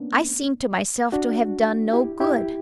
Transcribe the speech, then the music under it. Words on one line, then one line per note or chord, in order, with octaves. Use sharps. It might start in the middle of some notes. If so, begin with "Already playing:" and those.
I seemed to myself to have done no good.
Already playing: A#3 B3 C#4 D4
D4 F#4
E4 G4
E4 G4